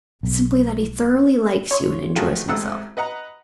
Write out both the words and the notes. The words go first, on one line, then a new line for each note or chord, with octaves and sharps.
Simply that he thoroughly likes you and enjoys himself.
B1
C#5 C6 C#6
D#3 F3 A3 F4 F#4 G#4
A1 G#2 C4 A4 F#5 E6
B4 D#5 F#5 A#5